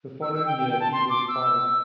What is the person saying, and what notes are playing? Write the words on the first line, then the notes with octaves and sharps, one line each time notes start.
The following year, he was pardoned.
E6
E6
G5
G5
G5
A5
C6
D6
E6